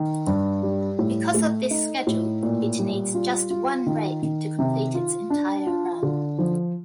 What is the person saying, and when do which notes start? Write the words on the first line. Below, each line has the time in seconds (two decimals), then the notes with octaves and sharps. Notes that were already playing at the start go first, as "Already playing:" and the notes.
Because of this schedule, it needs just one rake to complete its entire run.
Already playing: D#3
0.27 G2
0.63 G3
0.99 A2
1.34 A3
1.71 D#4
2.07 A2
2.43 A#2
2.79 G3
3.14 F4
3.50 F4
3.86 D#3
4.22 D#3
4.59 C3
4.94 F4
5.30 D4
5.66 F4
6.03 D3
6.38 F3